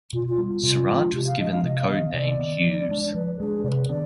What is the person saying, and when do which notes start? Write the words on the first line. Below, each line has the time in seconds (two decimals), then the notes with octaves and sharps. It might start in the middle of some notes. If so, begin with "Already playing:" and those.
Sarant was given the code name Hughes.
0.13 B2 F4
0.26 F4
0.38 G3 B3
0.51 F4
0.63 C3
0.88 F3 G#3 D4
1.14 C3 G4
1.26 F5
1.39 F3 G#3 D4 D#5
1.51 F5
1.63 C3 D#5
1.79 F5
1.88 D#3 B3 D#5
2.13 C3 D5
2.39 D#3 B3
2.64 F3
2.89 G#3 D4
3.14 F3 B4
3.39 G#3 D4 G#4
3.64 C3 B4 D5
3.89 D#3 B3 D4 D5